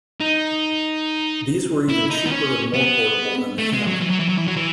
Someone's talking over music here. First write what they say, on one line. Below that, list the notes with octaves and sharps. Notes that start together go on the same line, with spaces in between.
These were even cheaper and more portable than the Hammond.
D#4
E4
D#4
B3
C#4
B3
A3
G#3
F#3
E3
F#3
E3
F#3
E3
F#3
E3